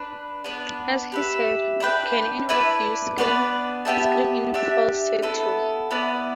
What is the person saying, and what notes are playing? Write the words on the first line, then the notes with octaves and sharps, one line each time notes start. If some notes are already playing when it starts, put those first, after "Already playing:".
And he said, 'Can any of you scream, scream in falsetto.
Already playing: D4 B4
B3 D4 B4
G4 B4 E5
D4 B4 G5
E4 B4 D5 A5
B3 D4 B4 D5
B3 G4 E5 A5
D4 G4 E5
B3 E4 A4
B3 E4 B4 D5